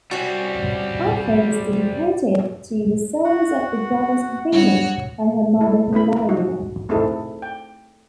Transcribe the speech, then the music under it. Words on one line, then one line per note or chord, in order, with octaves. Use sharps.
Afra was dedicated to the service of the goddess, Venus, by her mother, Hilaria.
G3 C4 C#4 F#4
F#4 F#5
G2 F#4 C#5
E4 A4
B3 C#4 E4 B5
D#4 F#4
A3 C4 D#4 E4 G#4 A4
G5